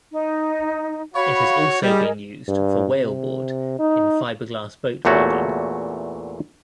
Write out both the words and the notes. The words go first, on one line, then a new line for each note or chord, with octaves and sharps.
It has also been used for whaleboard in fiberglass boat building.
D#4
F#4 C#5 F5 B5
G3 G#4 A#4 D#5
G2
C3
D#4
E2 A#2 A3 F#4 C#5